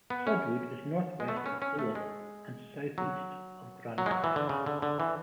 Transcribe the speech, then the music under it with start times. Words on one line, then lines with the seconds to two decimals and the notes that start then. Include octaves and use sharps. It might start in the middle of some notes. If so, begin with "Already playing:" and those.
Floodwood is northwest of Duluth and southeast of Grand Rapids.
0.10 B3
0.27 C#4
1.20 G#3
1.28 A3
1.36 B3
1.46 C#4
1.62 C#4
1.79 A3
1.95 G#3
2.98 F#3
3.98 F#3
4.06 G#3
4.11 F#3
4.24 E3
4.36 D3
4.49 C#3
4.66 D3
4.82 D3
5.00 E3